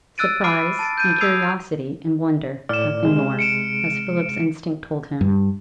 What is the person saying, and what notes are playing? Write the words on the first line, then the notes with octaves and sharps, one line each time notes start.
Surprise, and curiosity, and wonder; nothing more, as Philip's instinct told him.
E6 F#6 A6 D7 D#7
B5 D6 F6 C7 D7 D#7
A5 A6 D7
G6 D#7
D#6 E6 G#6 C7 D7 F7
A2 D5 F6 E7
C3 G#3
C#7 D7 E7
G2